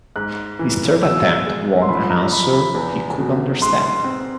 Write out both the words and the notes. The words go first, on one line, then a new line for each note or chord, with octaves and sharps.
His third attempt won an answer he could understand.
G#2 F#6
E3
B2 E6
G#3
C6
F3 B5
A#5
F3 B5
B5
E2
B2
G#2 C6
C6
C4